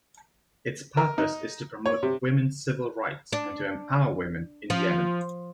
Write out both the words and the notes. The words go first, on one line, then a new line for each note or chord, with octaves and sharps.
Its purpose is to promote women's civil rights and to empower women in Yemen.
A#4
D#4
C#5
C3
D4
F3